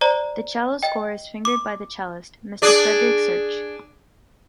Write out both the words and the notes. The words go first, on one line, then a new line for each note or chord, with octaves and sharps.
The cello score is fingered by the cellist, Mr. Frederick Search.
C5 D5 A#5
D#5 G5
D6
D4 G#4 D5